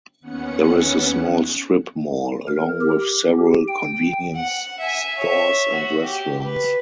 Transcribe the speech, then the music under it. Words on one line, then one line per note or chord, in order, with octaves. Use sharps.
There is a small strip mall along with several convenience stores and restaurants.
D#2 B3 C#4 F#5 C#7
A#4
G4
G5
F#5
E5 G#5
C#5 E5
F#4
G4
B4